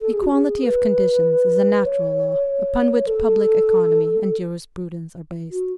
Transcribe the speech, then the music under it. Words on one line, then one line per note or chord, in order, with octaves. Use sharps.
Equality of conditions is a natural law upon which public economy and jurisprudence are based.
A4
G#4
F#4
G#4
B4
C#5
A4
F#4